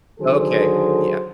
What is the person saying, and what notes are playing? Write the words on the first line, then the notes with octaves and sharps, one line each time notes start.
Okay. Yep.
D3 D#3 F#3 G#4 A4 C5